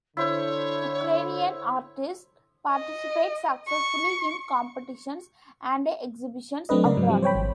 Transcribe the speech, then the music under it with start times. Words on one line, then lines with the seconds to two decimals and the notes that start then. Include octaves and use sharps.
Ukrainian artists participate successfully in competitions and exhibitions abroad.
0.17 D3 E4 C5 C#5
2.71 D#5
3.68 C#6
6.69 F#3 A3 C4 D4 B4 D#5
6.85 C#3 A#4 D5
6.97 G#2 F#3
7.09 F3 G3 C4
7.22 C5 C#5 G5 B5
7.35 G#1